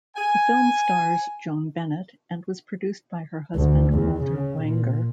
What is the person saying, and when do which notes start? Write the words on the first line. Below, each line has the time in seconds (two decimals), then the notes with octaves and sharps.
The film stars Joan Bennett and was produced by her husband Walter Wanger.
0.16 G#5
3.56 D2
3.94 E2
4.24 C#3
4.62 A#2